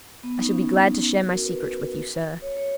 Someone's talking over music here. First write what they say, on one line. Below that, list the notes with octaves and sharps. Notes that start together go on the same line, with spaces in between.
I shall be glad to share my secret with you, sir.
B3
D#4
C#4
F#4
A#4
B4
C#5
C#5